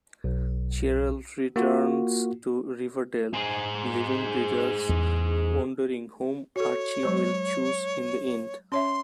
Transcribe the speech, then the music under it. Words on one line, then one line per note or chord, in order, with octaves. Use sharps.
Cheryl returns to Riverdale, leaving readers wondering whom Archie will choose in the end.
B1
A#3 F4 F#4
G#4 C5
E2
F#4 A4 C#5
F#3 G#3 C5
C#4 C#5 E5 C6